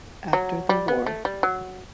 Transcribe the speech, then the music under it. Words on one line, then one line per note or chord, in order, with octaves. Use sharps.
After the war.
F#3
G3
B3
A3
G3
F#3